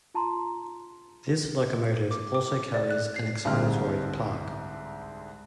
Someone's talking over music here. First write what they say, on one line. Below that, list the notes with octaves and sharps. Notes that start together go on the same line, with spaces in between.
This locomotive also carries an explanatory plaque.
F4 A5 A#5 C6
D6
D6
D5
F#6
C7
C2 G#2 D3 G#3 C4 F6